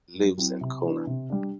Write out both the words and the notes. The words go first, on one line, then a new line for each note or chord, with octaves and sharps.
He lives in Khulna.
F#2
F#3 C4 E4
C3
E3 B3 D4
C3
G3 D4